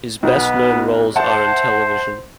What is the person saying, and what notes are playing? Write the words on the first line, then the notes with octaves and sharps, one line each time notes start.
His best-known roles are in television.
B1 B3
C5 E5 F#5 A5